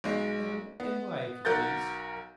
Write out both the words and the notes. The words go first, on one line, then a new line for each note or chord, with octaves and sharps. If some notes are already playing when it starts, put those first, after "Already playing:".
"Oh, and why, if you please?"
B1 G#3
B3
B1 A#4 F#5 G6 A6